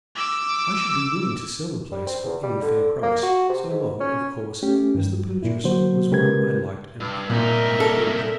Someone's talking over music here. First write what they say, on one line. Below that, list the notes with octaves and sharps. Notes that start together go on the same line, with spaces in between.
I should be willing to sell the place for any fair price--so long, of course, as the purchaser was one I liked and of whom I approved.
D6 E6
G3
C4
E2
G3
D3
A#3
F#4
C3
G#2
C#4
A3 C#4 G4
G2
A#2 E4
D3 F#3 A#3 F#4 C5
C#3 G#3 G4 A#4 B4 G#6
G2
C2 A#2 D#4 A#4 E5
A4